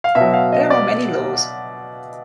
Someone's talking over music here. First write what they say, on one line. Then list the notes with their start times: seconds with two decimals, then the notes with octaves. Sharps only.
There are many laws.
0.04 F5
0.15 B2 E5
0.20 F#3
0.33 F5
0.52 D#5
0.70 D5